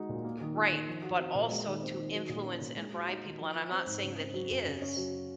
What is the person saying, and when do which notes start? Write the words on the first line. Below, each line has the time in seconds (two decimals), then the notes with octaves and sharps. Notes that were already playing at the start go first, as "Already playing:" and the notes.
Right, but also to influence and bribe people, and I'm not saying that he is,
Already playing: G#3 D#4 F#4
0.09 A#2
0.24 A#3
0.41 D#3
0.56 F4
0.71 D#3
0.88 F3
1.03 F#4
1.19 C4
1.35 A#2
1.51 G#3
1.66 D#3
1.82 C4
1.98 D#3
2.13 F#3
2.29 A#2
2.45 C#4
2.61 A#2
2.77 G#3
2.92 F#4
3.09 D#4
3.24 D#3
3.39 F3
3.55 F4
3.71 C4
3.86 G#2
4.03 C#3
4.18 C4
4.34 F#3
4.50 F#2
4.66 C#3
4.82 C#4
4.97 F#3